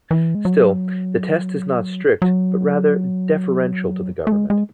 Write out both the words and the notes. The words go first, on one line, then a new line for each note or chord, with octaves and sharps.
Still, the test is not strict but rather deferential to the government.
E3
G#3
F#3
F#3
A3
G#3
G#3